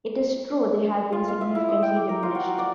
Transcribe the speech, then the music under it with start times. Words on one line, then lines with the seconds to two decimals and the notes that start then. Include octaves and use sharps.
It is true they have been significantly diminished.
1.12 F4
1.28 F5
1.41 E5
1.55 E4
1.69 D#6
1.82 G5
1.96 D6
2.09 A#4
2.23 F4
2.35 F#4
2.58 D5